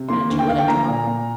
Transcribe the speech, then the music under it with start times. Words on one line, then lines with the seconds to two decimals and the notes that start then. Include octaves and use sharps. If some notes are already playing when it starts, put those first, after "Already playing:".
"And you let it drop?"
Already playing: C3
0.09 A#3 C6
0.29 D2
0.39 G5
0.48 D2 F5
0.58 G5
0.68 A#3 A#5
0.88 A#2
1.07 A#2